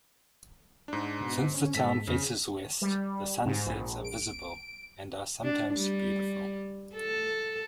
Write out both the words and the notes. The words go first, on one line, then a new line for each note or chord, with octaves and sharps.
Since the town faces west, the sunsets are visible and are sometimes beautiful.
G#2 D4
B2
C#4
G#2 A4 B6
F2 C#3
G3
G#2
A#1
D7
D4
G3
A4